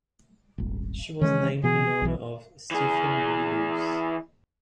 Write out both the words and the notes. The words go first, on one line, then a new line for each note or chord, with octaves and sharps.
She was named in honor of Stephen B. Luce.
D#1 G#1
D#3 E3 G#3 C#4
B2 E3 B3 G#4
B1 E3
E3 G#4